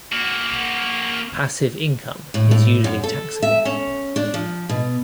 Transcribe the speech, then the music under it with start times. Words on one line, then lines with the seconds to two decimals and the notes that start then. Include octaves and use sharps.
Passive income is usually taxable.
0.12 A#3 F#4
2.34 A2
2.51 A2
2.84 F#2
3.04 A4
3.42 E5
3.65 C#4
4.16 D4
4.34 F3
4.69 B2